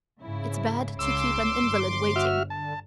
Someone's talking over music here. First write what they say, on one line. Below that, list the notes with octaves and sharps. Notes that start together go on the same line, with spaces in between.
It's bad to keep an invalid waiting.
G#2 C#3 E4
C#2 C#3 C6 D6 E6
G1
F#4 E5 F6
D3 A5